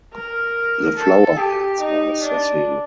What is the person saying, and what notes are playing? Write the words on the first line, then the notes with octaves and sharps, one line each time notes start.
The flower heads are sessile.
A#4
A4
G4
D#4
D4